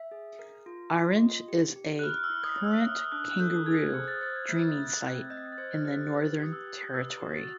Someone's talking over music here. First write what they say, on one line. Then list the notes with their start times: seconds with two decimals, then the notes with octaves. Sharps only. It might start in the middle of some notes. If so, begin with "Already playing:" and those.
Aherrenge is a current kangaroo dreaming site in the Northern Territory.
Already playing: E5
0.11 G#4
0.39 A#4
0.66 F4
0.94 F4
1.21 D#5
1.48 G4
1.76 G4
1.99 F#6
2.03 E4 F6
2.18 F6
2.24 E6
2.30 E4
2.44 D#6
2.57 C#5
2.65 E6
2.85 A3 F6
3.12 D4 F#6
3.31 F#6
3.40 A4 G6
3.66 G#4 G#6
3.94 C5
4.08 A6
4.21 C5 A6
4.36 G#6
4.49 A3 G6
4.76 A3
4.90 F#6
5.04 C4
5.30 D#5 G6
5.52 A6
5.58 C5 G#6
5.74 F6
5.84 G4 F#6
6.12 B4
6.39 G4 D#6
6.53 E6
6.67 G4
6.94 B4 E6
7.21 F#4
7.35 A6